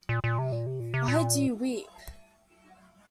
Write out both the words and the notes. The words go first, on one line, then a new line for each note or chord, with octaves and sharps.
Why do you weep?
A#2
A#2
C3
A#2
C3
A#2
C3
A#2